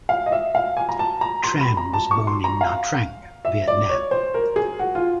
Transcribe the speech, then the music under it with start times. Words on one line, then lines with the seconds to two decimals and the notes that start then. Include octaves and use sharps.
Tran was born in Nha Trang, Vietnam.
0.09 F5
0.26 D#5
0.32 E5
0.55 F5
0.77 G#5
0.89 A#5
0.99 A5
1.21 A#5
1.44 C6
1.61 B5
1.77 A#5
1.93 A5
2.11 C#6
2.27 C6
2.44 A#5
2.61 F5
3.45 E5
3.68 D5
3.89 C#5
4.11 C5
4.34 A#4
4.56 G#4
4.79 F#4
4.95 F4